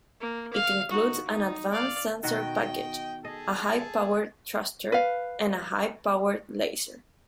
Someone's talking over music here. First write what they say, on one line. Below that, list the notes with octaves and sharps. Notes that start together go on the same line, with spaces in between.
It includes an advanced sensor package, a high-powered thruster, and a high-powered laser.
A#3
F5
D#4 F#4
D#4
D5 F5
B2 D#3 F#4 D#5 G5
G#4 A4 D#5 A5
B4 F5